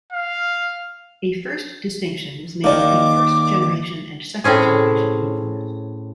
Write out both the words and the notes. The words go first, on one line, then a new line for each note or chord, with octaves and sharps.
A first distinction was made between first-generation and second-generation newcomers.
F5
D#2 D#3 A#3 D#4 D5 D6
A2 C4 C#4 G#4